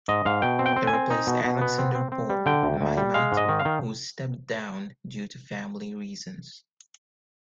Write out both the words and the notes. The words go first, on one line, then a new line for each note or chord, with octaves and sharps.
He replaced Alexandre Paul Maymat who stepped down due to family reasons.
G#2 D#5
G#2 F5
B2 G5
C4
G5
C4
G#5
C4
D#4
B2
B2
B3
C4
C4
C4
G3
D3 G5
D2
D2
G3
G#3 F5
G#2
D#5
D#3
F5
D#3